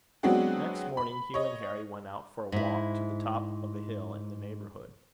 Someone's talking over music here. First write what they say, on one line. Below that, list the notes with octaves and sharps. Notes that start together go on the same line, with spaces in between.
Next morning Hugh and Harry went out for a walk to the top of a hill in the neighbourhood.
F#3 G#3 B3 C4 D4 F#4
B5
C#5 D#5
G#2 E4